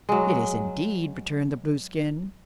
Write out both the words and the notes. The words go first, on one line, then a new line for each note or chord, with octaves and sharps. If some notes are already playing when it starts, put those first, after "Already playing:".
"It is, indeed," returned the Blueskin.
F#3 G#3